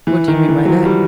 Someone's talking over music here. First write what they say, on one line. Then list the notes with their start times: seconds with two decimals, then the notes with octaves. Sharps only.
"What do you mean by that?"
0.07 E3
0.28 D#3
0.49 E3
0.65 F#3
0.70 F3
0.85 G3